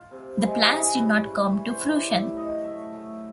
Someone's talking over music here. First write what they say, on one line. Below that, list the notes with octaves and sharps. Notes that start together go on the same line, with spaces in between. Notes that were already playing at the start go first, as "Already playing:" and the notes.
The plans did not come to fruition.
Already playing: F4
C3
G#3 E4
F#4
C#3
G#4
G3 B4
G3 C#5
E3 C#5
C5
E3 C#5
D5
A2 D5
F#3 D#5
A3 E5
A3